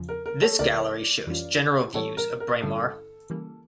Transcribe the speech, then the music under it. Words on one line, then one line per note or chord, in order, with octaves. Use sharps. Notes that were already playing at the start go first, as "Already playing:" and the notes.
This gallery shows general views of Braemar.
Already playing: E2 C#3 F3
A#4
A#4
A4 C#5
C#2 C#3 F3 A3 A#4 D5
F2 E3 G3 C#4 F4
A2 E3 G3 A4 C#5
A#4
A#4
G2 D3 G3 C#4 E4 A4
C#3 E3 G3 A#3